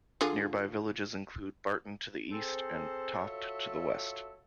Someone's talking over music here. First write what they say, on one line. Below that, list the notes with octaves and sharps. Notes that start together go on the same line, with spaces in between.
Nearby villages include Barton to the east and Toft to the west.
D3 F4 G#4
C4 G#4 A4 C5
F4 F#4 A4 C#5 E5